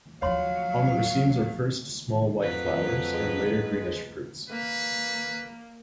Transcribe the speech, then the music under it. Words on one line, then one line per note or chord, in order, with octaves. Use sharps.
On the racemes are first small white flowers, and later greenish fruits.
D#2 F3 F#3 C#5 F5 C6
F2 F#3 B4
G#3
A#3 B4